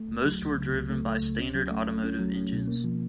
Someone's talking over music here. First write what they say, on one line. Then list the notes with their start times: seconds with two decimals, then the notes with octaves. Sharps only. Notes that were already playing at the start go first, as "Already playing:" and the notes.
Most were driven by standard automotive engines.
Already playing: A3
0.08 C#2
0.25 F#3
0.42 C#2
0.57 C#3
0.74 C#2
0.90 A3
1.06 A3
1.23 C#2
1.39 C#4
1.54 F#3
1.71 A3
1.87 A3
2.04 C#4
2.19 F#3
2.36 C#4
2.52 B2
2.68 A#3
2.84 F3